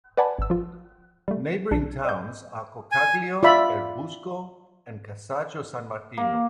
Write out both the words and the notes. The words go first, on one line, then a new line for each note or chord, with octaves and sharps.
Neighbouring towns are Coccaglio, Erbusco and Cazzago San Martino.
B4 D5 F#5 G#5 A5 B5
G#1 E6
F3 F4
G3 A3
B1 D4
D5 D#5 G6
G#5
F4 D5 E5 B5
A#3